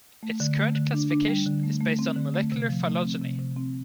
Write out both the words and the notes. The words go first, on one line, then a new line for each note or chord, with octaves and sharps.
Its current classification is based on molecular phylogeny.
A3
D3
A3
D3
D4
D4
G3
D3
A3
A3
C4
D3
A3
C3
F3
A3
C4
C3
C3
C4